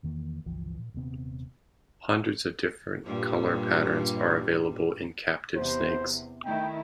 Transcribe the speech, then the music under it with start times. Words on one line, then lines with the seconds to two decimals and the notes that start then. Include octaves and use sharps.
Hundreds of different color patterns are available in captive snakes.
0.03 E2 D#3 E3 A#3
0.46 G1 C#2 E3 F3
0.79 A#2
0.94 D#1 C3 B3 C4
3.05 G2 A#2 G3
5.55 E2 C3 C5
6.45 D#3 A3 E4 G5